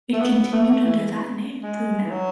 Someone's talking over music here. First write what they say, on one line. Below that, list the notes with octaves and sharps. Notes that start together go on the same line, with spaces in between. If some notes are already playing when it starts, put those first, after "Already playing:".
It continued under that name through now.
A3
B3
A3
E3
G#3
E3
F#3